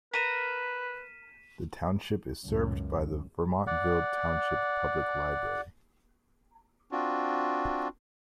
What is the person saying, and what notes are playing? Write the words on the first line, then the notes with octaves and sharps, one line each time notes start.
The township is served by the Vermontville Township Public Library.
A#4 B4 A#5 B6 D#7 E7
C#2 F#2
D5 F#5
C4 D4 F4 F#4